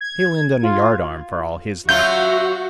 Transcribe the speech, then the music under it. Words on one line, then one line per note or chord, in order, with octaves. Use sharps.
He'll end on a yardarm for all his luck.
G#6
F4
F#3 F4 F#4 E5 G6